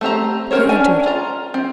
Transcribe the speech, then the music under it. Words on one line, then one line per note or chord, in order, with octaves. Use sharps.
He entered.
A3 C4 G4 A#5
C#4 F#4 A#4 C5 C#5
C#4 D4 G#5
F4 A#5
C4